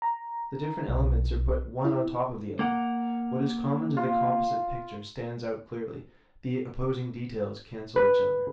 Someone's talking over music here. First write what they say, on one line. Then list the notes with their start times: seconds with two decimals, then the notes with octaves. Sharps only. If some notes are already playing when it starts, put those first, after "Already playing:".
The different elements are put one on top of the other; what is common to the composite picture stands out clearly, the opposing details cancel each other.
0.02 A#5
0.89 B1
1.85 E4
2.59 A#3 A#4 F#5
3.97 F4
7.96 B4